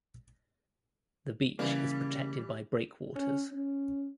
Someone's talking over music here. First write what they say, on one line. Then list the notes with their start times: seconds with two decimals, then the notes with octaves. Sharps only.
The beach is protected by breakwaters.
1.59 C#3 E3 G3 A#3
3.15 C#4
3.51 C#4